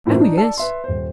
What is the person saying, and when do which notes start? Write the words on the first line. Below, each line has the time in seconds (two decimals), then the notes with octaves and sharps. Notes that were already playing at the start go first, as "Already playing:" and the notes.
"Oh, yes."
0.05 F#2 A2 E3 A#3 C4
0.20 D4 D#4
0.37 A4 D5
0.58 B4 E5 C6
0.84 D#1 C5